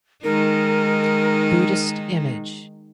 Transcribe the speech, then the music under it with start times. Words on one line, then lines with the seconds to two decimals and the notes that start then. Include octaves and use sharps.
Buddhist image.
0.24 D#3 G#3 D#4 A#4